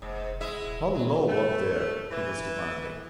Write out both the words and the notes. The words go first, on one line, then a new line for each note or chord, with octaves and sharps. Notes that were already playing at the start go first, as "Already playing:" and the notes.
"Hullo, up there!" he was demanding.
F1 G#2
G#3 E4 E5
D#1
B2 F#3
A3
E3